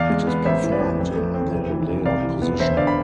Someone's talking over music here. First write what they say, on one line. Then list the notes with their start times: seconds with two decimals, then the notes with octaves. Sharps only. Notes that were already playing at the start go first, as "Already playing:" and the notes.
It is performed in the layout position.
Already playing: E2 D5 F5
0.10 G#3
0.27 B3
0.45 A1 C5 E5
0.64 E3
0.72 B4 D5
0.80 A1
0.99 F2
1.16 A3
1.34 C4
1.52 F1
1.70 E3
1.88 F1
2.05 C2 D5 F5
2.23 E3
2.42 B3
2.59 E1 C5 E5
2.77 D3 D5 F5
2.87 B5